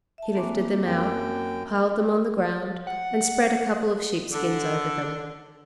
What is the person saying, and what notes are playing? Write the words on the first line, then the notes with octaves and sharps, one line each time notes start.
He lifted them out, piled them on the ground and spread a couple of sheepskins over them.
E5 A5
E3 A#3 C4 D6
F#2 G5
F#5
D3